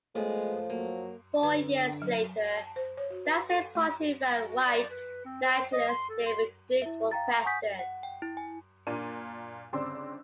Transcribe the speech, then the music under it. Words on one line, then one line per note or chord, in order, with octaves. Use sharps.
Four years later, that same party ran white nationalist David Duke for president.
A2 F3 G#3 B3 G#4
F#3 A#3
D3 B4
F#3
A5
C5
C#5
F#4
B4
A4
A3
F#4
D5
B4
C4
C5
D#5
C6
A4
C6
E4 E5
F5 G5 A#5 A6
F#5 G#5 C#6 D#6 G6 B6
F#5
G5
E4
G#5
A#2 A#3 D4 D#7
G1 C#3 C4 D5 C6 E6